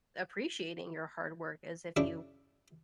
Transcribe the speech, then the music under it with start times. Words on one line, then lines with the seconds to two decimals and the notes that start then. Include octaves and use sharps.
appreciating your hard work as if you
1.96 F#2 C#3 D4 E4 E5